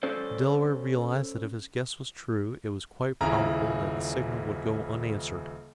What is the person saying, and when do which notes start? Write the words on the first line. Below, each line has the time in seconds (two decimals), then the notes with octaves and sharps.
The Delaware realized that if his guess was true it was quite probable that the signal would go unanswered.
0.03 C#4 A4 C5 D5
3.21 D#1 C#3 E4 A#5